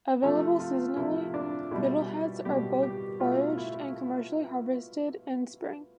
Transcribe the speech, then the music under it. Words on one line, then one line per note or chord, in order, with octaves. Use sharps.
Available seasonally, fiddleheads are both foraged and commercially harvested in spring.
C3 F3 A3 A4
F4
C3 F3 A3 E4
D4
B2 G3 E4
B2 G3 G4
G4
B2 A3 F4
E4